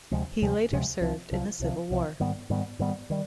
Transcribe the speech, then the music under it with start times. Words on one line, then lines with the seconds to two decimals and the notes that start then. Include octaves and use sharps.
He later served in the Civil War.
0.11 D2 C3 F3 G#3
0.42 D2 C3 F3 G#3
0.72 D2 C3 F3 G#3
1.01 C2 C3 F3
1.31 C2 C3 F3
1.60 C2 C3 F3
1.91 C2 C3 F3
2.20 G#2 D#3 G3 B3
2.50 G#2 D#3 G3 B3
2.79 G#2 D#3 G3 B3
3.10 D#3 G3